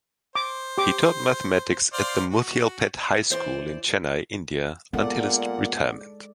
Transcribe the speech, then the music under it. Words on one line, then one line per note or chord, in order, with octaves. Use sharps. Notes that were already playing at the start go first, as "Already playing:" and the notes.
He taught mathematics at the Muthialpet High School in Chennai, India until his retirement.
C5 D6
G4 D6
C5 D5 F5
F#4
E3 C5 D5
A#2 G#3 B3 A4 D5 F#5